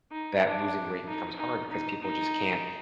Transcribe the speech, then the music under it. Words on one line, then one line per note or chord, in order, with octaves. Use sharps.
that losing weight becomes hard because people just can't
D#4
D4
D#4
D#4
D#4
D#4